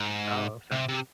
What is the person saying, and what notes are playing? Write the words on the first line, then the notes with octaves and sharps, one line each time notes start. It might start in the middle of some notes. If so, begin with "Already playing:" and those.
Oh, okay.
Already playing: G#2
C3
C3